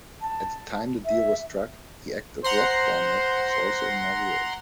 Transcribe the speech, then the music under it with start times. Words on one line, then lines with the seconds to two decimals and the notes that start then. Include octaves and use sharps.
At the time the deal was struck, the active rock format was also inaugurated.
0.22 A5
1.05 E5
2.44 C5 F#5 A#5 C6